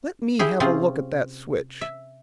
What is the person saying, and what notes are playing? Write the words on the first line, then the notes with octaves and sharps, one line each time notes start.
"Let me have a look at that switch."
E4 G4 G#4
C3 C4 C#4 F4 G#4
E5